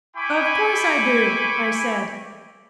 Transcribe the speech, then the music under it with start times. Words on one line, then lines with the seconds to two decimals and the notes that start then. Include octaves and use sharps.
"Of course I do," I said.
0.17 E4 G5 G#5 B5 C#6 D6